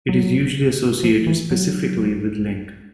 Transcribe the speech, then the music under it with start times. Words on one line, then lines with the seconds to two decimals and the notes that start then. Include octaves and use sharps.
It is usually associated specifically with Link.
0.09 F#3
1.03 F3
1.27 E3
1.51 F#3